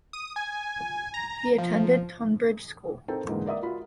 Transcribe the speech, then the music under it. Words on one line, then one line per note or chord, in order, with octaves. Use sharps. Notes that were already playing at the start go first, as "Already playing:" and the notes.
He attended Tonbridge School.
D#6
G#5
A#5
F3
C4 D#4 A4 A#4 G5
E2 G#2 D3 G#3 A#3
A#4 D5 E5 D#6
F4 F#4 B5